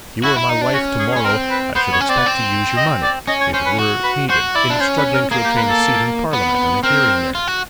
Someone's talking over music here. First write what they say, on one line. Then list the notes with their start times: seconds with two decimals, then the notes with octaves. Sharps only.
If you were my wife to-morrow I should expect to use your money, if it were needed, in struggling to obtain a seat in Parliament and a hearing there.
0.24 E4 F#4
0.36 E4
0.49 D#4
0.61 D4
0.74 C#4 F#4
1.00 G#4
1.12 G#4
1.16 C#4
1.24 C4 A#4
1.50 B4
1.75 B3 C5
1.93 C#5
2.00 C#4
2.09 C4 D5
2.18 B3
2.26 C4
2.77 D#5
3.03 D5
3.27 C#4 D#5
3.41 C#5
3.54 C#4 C5
3.66 B4
3.79 F#4
4.04 B4
4.30 F#4 C5
4.55 E4 D5
4.70 D4
4.80 C#4 C5
4.98 B4
5.14 A#4
5.31 A#3 G#4
5.44 G4
5.56 B4
5.69 A4
6.33 B3
6.83 C4 A#4
7.35 F4
7.48 F#4